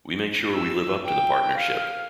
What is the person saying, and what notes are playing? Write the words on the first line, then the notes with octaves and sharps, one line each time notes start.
We make sure we live up to the partnership.
E6
G5
F5